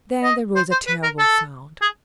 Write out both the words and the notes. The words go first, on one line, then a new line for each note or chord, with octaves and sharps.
Then there rose a terrible sound.
D#5
C5
C5
B4
A#4
A4
G#4